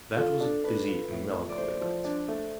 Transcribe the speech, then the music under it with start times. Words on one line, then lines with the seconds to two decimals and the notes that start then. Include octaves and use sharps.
That was a busy and melancholy night.
0.17 F4 A4
0.40 D4
0.64 D4 B4
0.88 F4
1.10 A2
1.34 F3
1.49 D5
1.58 A3 C5
1.81 F3
2.04 D4
2.28 A3